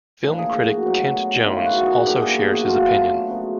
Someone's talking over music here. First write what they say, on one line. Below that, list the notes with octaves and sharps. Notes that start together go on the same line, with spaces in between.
Film critic Kent Jones also shares this opinion.
A2 F3 A#3 D4
G#4
F#4
A2 F#3 B3
D#3 G#3 C#4 E4 F4
F#4
G#4
A#2 F#3 B3 D4 G4
G#4
G4
F#4
F#3 A3 D4 F4
C#3 F#3 B3